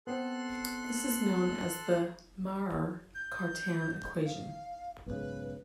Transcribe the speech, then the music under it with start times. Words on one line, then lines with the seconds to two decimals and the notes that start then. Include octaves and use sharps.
This is known as the Maurer-Cartan equation.
0.07 B3 C4 A4 C6 F#6
3.15 G6
4.25 F5
5.06 B1 G#2 C#3 B4